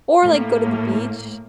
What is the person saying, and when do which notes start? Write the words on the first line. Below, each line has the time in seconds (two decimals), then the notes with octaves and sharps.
or, like, go to the beach.
0.24 A2 A#3